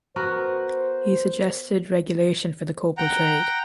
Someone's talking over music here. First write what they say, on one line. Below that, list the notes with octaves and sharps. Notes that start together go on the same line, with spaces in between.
He suggested regulation for the copal trade.
B3 F#4 A#4 C5
F#5 G5 A#5